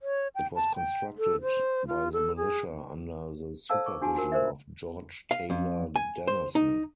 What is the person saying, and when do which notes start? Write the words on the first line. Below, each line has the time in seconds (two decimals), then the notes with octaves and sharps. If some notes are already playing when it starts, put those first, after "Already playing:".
It was constructed by the militia under the supervision of George Taylor Denison.
0.01 C#5
0.35 G5
0.55 A5
0.76 G5
1.18 A4
1.42 C5
1.88 F4
2.13 A4
2.36 G#4
3.69 A4 C5 D5 F5 A5 E6
3.86 C#6 D6
4.01 D4 F#4 G#5 A5
4.15 F4 F#4 A#4
4.32 A#4 C5 D5 E5
5.31 F5
5.50 F2
5.96 G#5
6.28 C5
6.55 D#4